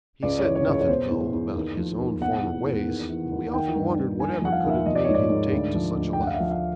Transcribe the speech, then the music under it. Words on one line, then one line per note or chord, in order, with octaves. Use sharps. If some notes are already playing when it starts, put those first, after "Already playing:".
He said nothing, though, about his own former ways, and we often wondered whatever could have made him take to such a life.
C#2 D5
C#5
E3
C#5
C#2 C#5
C#5
B2 C5
E2
E2
D#2
F3
D#2
B2 F#5
E2
E2
D#2
E3
D#2
D#3 G5
G2
G2
D#2 G#5
F3 F#5
F5
D#2 E5
F3 D#5
D5
C#5
G#2
D5
G#2
D2
F3
D2
G5
D2 F#5
F5
E5
F3
F5